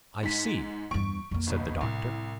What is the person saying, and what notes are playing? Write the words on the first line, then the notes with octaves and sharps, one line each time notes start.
"I see," said the doctor.
G#2 B6
E2 G2 C#6 D7
F2 A#3
G1 B2
C2 A2